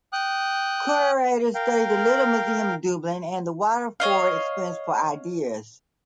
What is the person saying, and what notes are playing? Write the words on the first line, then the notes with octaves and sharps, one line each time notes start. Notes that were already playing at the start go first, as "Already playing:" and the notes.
Curators studied the Little Museum of Dublin and the Waterford Experience for ideas.
G5 D#6 F#6
A#4 F5 G5
C#5 D#5 F5